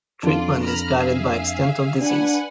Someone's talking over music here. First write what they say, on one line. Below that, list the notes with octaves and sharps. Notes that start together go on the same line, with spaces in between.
Treatment is guided by extent of disease.
F2 D4 F4 D5
A#5 B5 F6
G#4 E5 F5
D4 B4 F#5 G#5